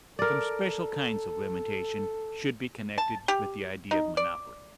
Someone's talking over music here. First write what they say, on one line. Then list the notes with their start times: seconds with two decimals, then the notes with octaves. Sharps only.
Some special kinds of limitation should be connected with the idea of monopoly.
0.19 A4 A#4 D5
2.98 A5
3.28 G4
3.91 D#4
4.17 D5